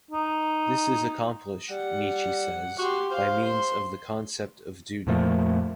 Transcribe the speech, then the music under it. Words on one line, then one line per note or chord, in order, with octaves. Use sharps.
This is accomplished, Nietzsche says, by means of the concept of duty.
D#4
G3 F#5
F#4 G4 C6
C5 F5
C6
F2 A#2 F3 A3